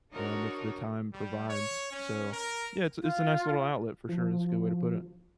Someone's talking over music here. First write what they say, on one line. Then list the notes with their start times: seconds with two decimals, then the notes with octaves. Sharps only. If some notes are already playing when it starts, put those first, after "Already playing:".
um, if the time provides. So, yeah, it's it's a nice little outlet for sure. It's a good way to put it.
0.10 D4 D#4 F#4 A#4 C5 C#5
1.13 G3
1.49 C#5
1.91 C#4
2.32 A#4
3.02 F4
4.09 F3